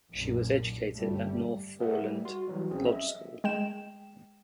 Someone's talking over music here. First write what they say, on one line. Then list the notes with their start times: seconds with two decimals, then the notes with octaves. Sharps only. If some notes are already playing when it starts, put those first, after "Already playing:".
She was educated at North Foreland Lodge School.
0.10 B1 F#2 A#2
0.95 G1 G3 A3
1.80 G#4 A#4 B4 D5 E5 F#5
2.01 G3
2.25 F#4 C6
2.48 E3 F#3 G3
2.71 A#1 C4 C#4 G#4
2.86 D#5 E5
3.44 G#3 G5 E7